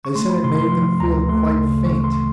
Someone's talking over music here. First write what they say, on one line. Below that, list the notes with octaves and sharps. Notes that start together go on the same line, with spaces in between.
They said it made them feel quite faint.
C#6
A3 C6
B5
C3 C6
C6
F3
D2 A#5
A3 C6
C#3
E3 C#6
C6